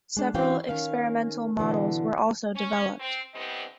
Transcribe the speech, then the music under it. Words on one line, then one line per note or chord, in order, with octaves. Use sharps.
Several experimental models were also developed.
G#3 D4
E3 C4 C#4 F#4 F5 G5
D#3 C#4 F5
B2 D3 E3
C#4
C4
D3 E3 G3 B3 C4 D#5